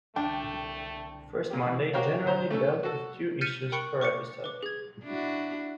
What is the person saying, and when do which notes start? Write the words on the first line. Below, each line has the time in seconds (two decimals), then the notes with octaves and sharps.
"First Monday" generally dealt with two issues per episode.
0.16 C2 D3 A3 D4 G5
1.50 A#2 G4
1.66 E3
1.93 F#4 G4 A#4 C5 C#5 F5
2.25 D2 C5 A#5
2.50 A3 C#4 A4
2.83 F#4 A4
3.41 F6 G6 A6 B6 C#7 D#7
3.72 A#4 G5 B5 C#6 F#6 C#7
4.01 C#6 D6 A6 C#7
4.44 B4 D6
4.63 G#4 G#6
5.04 D4 E4 F#4